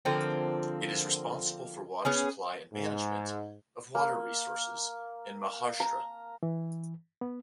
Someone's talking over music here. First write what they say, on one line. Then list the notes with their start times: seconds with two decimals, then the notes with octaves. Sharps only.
It is responsible for water supply and management of water resources in Maharashtra.
0.05 D3 F3 A#3 C4
2.05 B3 C#4 G#4
2.73 G#2
3.95 A#3
5.80 A#5
6.43 E3
7.21 B3